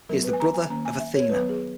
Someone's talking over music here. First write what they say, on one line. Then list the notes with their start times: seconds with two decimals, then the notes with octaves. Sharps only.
He is the brother of Athena.
0.09 F#3 B3 A#4
0.24 B4
0.33 G#5
0.40 A#5
0.54 G#5
0.69 D#3 A#3 C#4 A#5
0.85 G#5
0.99 E5
1.15 C#5
1.29 D#3 F#3 B3 B4
1.49 G#4